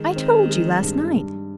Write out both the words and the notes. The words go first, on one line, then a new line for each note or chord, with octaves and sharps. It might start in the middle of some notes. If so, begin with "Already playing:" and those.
"I told you last night."
Already playing: D#3 G#3
C4
G#3
G2
G2